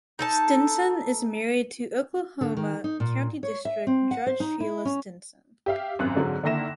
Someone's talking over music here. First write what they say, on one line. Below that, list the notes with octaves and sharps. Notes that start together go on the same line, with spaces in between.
Stinson is married to Oklahoma County District Judge Sheila Stinson.
D#4 A4 A5
D3
D#3
D#4
A#2
C#5
E5
C4
F#5
C5
D#4
E4
C#4
G4 E5 F5
G#1 F#2 F#6
G#2 D3 F#3 G#3
D3 D#3 A#3 E4 A#6 E7